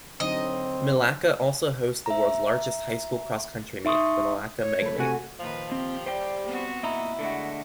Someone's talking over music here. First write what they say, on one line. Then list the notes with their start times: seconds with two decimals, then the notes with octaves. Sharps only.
Milaca also hosts the world's largest high school cross-country meet, The Milaca Mega-Meet.
0.20 D3 F#3 C4 D#4 D#5
2.06 E5 A#5
3.85 D#4 E5 C6 C#6 D#6
4.60 C#5
4.82 A3 B5
4.98 C3 F#4 G#5
5.40 A#2 D#3 F3 B4
5.72 C4 G4
6.06 G3 C5 D5 G5
6.46 B3 C4 F#4
6.83 A#2 E4 D#5 A#5
7.19 D3 G#3 A3 F#4